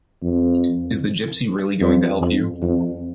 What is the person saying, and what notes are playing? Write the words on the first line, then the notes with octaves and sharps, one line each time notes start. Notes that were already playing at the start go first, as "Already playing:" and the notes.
Is the gypsy really going to help you?
F2
F2
F2
F2